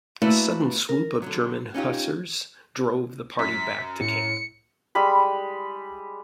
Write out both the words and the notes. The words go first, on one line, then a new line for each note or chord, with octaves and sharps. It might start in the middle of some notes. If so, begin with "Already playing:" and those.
A sudden swoop of German hussars drove the party back to camp.
A3 A#3 E4 F#4 B4 D5
A#4
D3 F#3
C#4 D#4 F4 G4
F#2 B6
A2 C#7
G3 G#3 B5